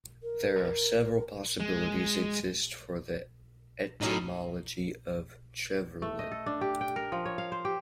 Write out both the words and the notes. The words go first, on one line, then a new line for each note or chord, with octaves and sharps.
There are several possibilities exist for the etymology of "Treverlen".
A#4
G#3
A2 F#3 C#4 D#4
A3
D#5
A4
D4
G4
G5
A#4
F3
C#5
F5
C5
G4